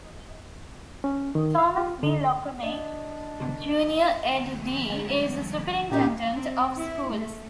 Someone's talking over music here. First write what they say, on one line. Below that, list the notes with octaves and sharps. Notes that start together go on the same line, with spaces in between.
Thomas B. Lockamy, Junior Ed.D., is the Superintendent of Schools.
C#4
D#3
F5
F4
D3
D4 D5 D#5
G#3
A#2 C#4 D#4 G4
C4
E4
A3